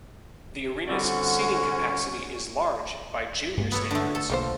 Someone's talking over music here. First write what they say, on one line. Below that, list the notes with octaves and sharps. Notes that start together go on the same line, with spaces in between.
The arena's seating capacity is large by junior standards.
D3 G3 C4 C#4 F#4 C5 D5
G2 G#3 A#3
B3 A4 C#5
D3 A3
A4
B1 F3 A#3 C5